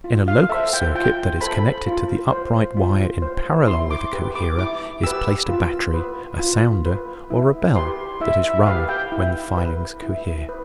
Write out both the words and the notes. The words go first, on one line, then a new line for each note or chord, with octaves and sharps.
In a local circuit that is connected to the upright wire in parallel with the coherer is placed a battery, a sounder, or a bell, that is rung when the filings cohere.
F4
F5
A4 C5 E5
G5
F4 G5
A4 C5 B5
F4
C5
F4
C5
E4 C6
D6
G4 B4
D6
E4 D6
G4 B4 E6
F4
B4
F4
B4
E4
G4 B4 C6
E4 E5
E5
G4 B4 F5
G5
E4
B4
E4
B4